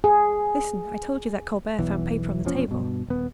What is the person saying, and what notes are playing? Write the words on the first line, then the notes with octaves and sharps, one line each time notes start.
"Listen; I told you that Colbert found paper on the table."
G#4
B1 E2 E3
E1 A#1 F3 C#4
G2 B2
D#1 B3